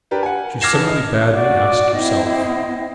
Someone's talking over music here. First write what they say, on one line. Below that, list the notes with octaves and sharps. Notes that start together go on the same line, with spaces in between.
She simply bade me ask yourself.
D4 G4 A#4 B4
F#5 G#5
D6 F6 G#6 A#6 C7 E7
A1 D#3 B4 A5 E7
D#5
F#4 D5
C4 E4 D#5